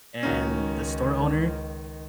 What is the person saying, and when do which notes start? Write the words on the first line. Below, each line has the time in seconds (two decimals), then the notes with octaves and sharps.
and the store owner"
0.23 C#2 D#3 C#4 D#4 F#4